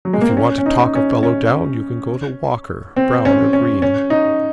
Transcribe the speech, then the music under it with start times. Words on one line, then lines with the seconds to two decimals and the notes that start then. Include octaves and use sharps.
If you want to talk a fellow down you can go to Walker, Brown, or Green.
0.05 F#3
0.13 G#3
0.21 A#3
0.29 C4
0.37 C#4
0.58 C#4
0.66 D#4
0.95 C#4
1.23 C#4
2.96 C4
3.25 C#4
3.53 C#4
3.82 C#4
4.10 D#4